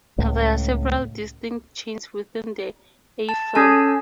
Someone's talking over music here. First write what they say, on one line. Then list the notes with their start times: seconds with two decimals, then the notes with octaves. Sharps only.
There are several distinct chains within the Eifel.
0.18 C#2 A2
3.29 A5
3.55 C#4 G#4 A4 A5